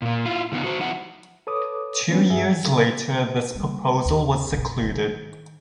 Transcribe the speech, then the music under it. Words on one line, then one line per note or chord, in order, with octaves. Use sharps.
Two years later this proposal was secluded.
A#2 A#3
E4 F4
C#3 F3 B3 D#4
F#4 C5
F3 D#4 E4 F#5
A4 B4 C#5 D6 D#6
E3 G#3 B3 C#4 D4 B4
G2 G#4 E5
G3 A#3
D#2
F#1 B1
D#3